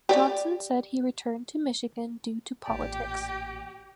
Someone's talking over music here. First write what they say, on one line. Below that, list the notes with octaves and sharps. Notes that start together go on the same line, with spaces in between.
Johnson said he returned to Michigan due to politics.
G4 D5
A1 A#2 G4 D5